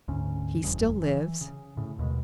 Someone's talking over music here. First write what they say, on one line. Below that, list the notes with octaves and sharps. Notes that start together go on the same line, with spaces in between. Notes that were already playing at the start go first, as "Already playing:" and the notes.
"He still lives."
D2 G#2 C#4
F#1 E2 G2 C#3
E3
C#3
A2 C#3
D#2 B2 D#3 G#3